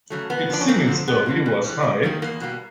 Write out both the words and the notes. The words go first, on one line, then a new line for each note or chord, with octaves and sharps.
Its single story was high.
C#3 F#3 A3
A#2 B3
F3 A#3 D4
C#4
G2 A#3 C4
D3 F3
G2 B3
D3 G3 A#3
G2
E3 G3
F#2
D#3 G3 A#3
E2 A#3
B2 G3 A#3